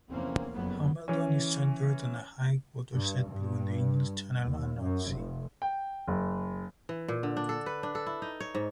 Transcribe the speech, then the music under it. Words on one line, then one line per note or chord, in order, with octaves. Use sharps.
Hambledon is centred on a high watershed between the English Channel and North Sea.
F1 E2 A#3 C4 C#4
F#1 F2 F#3 A#3 B3
E3 C#4
G2
G2
D#2
F#2
F1
G5
F#1
E3
A#2
D3
D4
A4
B4
D4
A4
E4
D#4
C#5
G#2